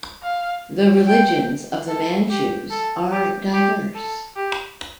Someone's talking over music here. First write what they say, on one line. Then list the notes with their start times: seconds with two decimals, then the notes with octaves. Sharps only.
The religions of the Manchus are diverse.
0.23 F5
1.06 G5
1.88 A4
2.30 G4
2.71 A4
3.12 G4
3.54 G4
3.95 A4
4.36 G4